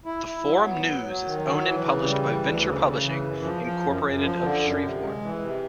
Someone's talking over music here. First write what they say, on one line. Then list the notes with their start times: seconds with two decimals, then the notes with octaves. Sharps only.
"The Forum News" is owned and published by Venture Publishing, Incorporated of Shreveport.
0.06 E4
0.26 E4
0.46 F#3
0.66 B3
0.86 F#3
1.05 F#3
1.25 D#3
1.45 F#3
1.65 E3
1.85 C#3
2.04 G3
2.24 E3
2.44 D2
2.64 C#3
2.84 C#3
3.04 E3
3.24 F#2
3.43 F3
3.63 F3
3.83 F#2
4.03 F#2
4.23 F3
4.42 D3
4.62 F#2
4.82 C3
5.03 G#3
5.22 E3
5.41 C3